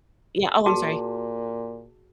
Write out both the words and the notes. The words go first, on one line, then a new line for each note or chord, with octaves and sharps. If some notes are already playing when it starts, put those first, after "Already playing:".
Yeah Oh, I'm sorry.
A#2 F#4 G#4 A5